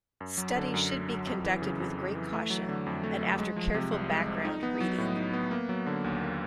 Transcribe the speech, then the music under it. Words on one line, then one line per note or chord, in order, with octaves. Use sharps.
Studies should be conducted with great caution, and after careful background reading.
F#2
F#3
D3
F#2
F#2
F#3
F2
E3
C#3
F2
F2
E3
A3
F#3
D3
F2
A3
F#3
G#3
F3
C3
C2
G#3
F3
D#4
B3
F#3
A2
D#4
B3
A#3
F#3
D3
D#2
A#3